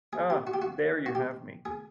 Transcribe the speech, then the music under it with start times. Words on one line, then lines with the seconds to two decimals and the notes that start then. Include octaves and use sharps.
Ah, there you have me.
0.13 G#4
0.30 G4
0.47 F#4
0.54 G4
0.62 F#4
1.06 F#4
1.15 G4
1.65 G#4